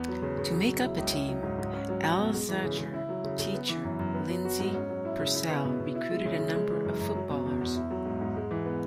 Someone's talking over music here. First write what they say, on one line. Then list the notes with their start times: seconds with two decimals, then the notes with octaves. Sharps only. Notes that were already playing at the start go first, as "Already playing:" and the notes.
To make up a team, Alsager teacher Lindsay Purcell recruited a number of footballers.
Already playing: E2 B3
0.08 F#3
0.22 C#3
0.38 C#3
0.53 F#3
0.68 B2
0.83 E4
0.98 C#2
1.13 C#4
1.28 F#3
1.43 G#2
1.58 G#2
1.73 C#4
1.89 F#3
2.03 F#4
2.19 B2
2.34 G#3
2.49 E3
2.64 C#3
2.79 C#3
2.94 E4
3.09 F#3
3.24 C#3
3.39 C#3
3.54 B3
3.69 E3
3.84 F#2
3.99 F#2
4.14 B3
4.29 F#3
4.45 F#4
4.60 G#2
4.74 C#4
4.89 F#3
5.05 E4
5.20 C#3
5.35 E4
5.50 B3
5.65 B2
5.80 B2
5.95 E4
6.10 G#3
6.25 C#3
6.40 C#3
6.55 G#3
6.70 E3
6.85 F#2
7.00 F#2
7.15 F#3
7.30 B2
7.46 E2
7.61 E2
7.76 E4
7.91 F#3
8.05 G#2
8.21 G#2
8.36 G#3
8.51 E3
8.65 B3